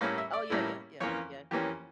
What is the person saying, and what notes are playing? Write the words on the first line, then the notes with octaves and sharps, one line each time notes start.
Oh, yeah, yeah, yeah, yeah.
A2 G3 A#3 C#4 E4 F5
E5
D5
A2 G3 A#3 C#4 E4
F2 E3 A#3 C#4 C#5
F2 E3 A#3 C#4 G4